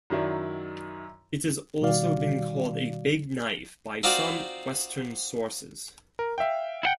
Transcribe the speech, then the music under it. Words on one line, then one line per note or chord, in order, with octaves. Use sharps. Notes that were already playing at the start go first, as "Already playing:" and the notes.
It has also been called a "big knife" by some western sources.
F#2 D#3 F#3 E4 D5
B2 D#3 G3 F#4 D5 F5
C4 D#4 F4 F#4 D5
A#4
E5 F5 G5
E4 F#5 G5